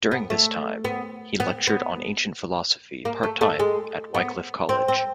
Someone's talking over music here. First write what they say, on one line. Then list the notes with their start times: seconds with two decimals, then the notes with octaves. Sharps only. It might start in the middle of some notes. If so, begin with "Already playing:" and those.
During this time he lectured on ancient philosophy part-time at Wycliffe College.
0.11 B3
0.30 A3
0.85 B3
1.40 B3
1.67 B3
3.05 A#3
3.23 A3
3.41 A3
3.59 G#3
4.14 B3
4.69 C4
4.88 C4